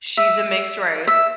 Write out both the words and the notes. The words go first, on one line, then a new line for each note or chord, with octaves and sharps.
she's a mixed race,
E5
E5